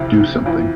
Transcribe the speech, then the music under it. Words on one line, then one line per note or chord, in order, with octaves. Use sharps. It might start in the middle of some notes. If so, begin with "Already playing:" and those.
Do something!
Already playing: D2 C3 F3 E4
F2 E3 E4